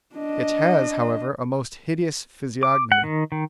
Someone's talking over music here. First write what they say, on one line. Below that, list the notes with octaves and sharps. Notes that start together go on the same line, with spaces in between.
It has, however, a most hideous physiognomy.
D4 D#5
D6
F#5
D#3
D#3